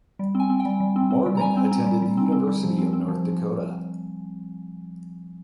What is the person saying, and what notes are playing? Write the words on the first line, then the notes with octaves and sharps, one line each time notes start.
Morgan attended the University of North Dakota.
G3
C4
G#5
C4
G5
G3
G3
C4
C4
G3
A#5
G3 G#5
C4
C4
G3
G3
C4
C4
G3
F3
C4
C4
F3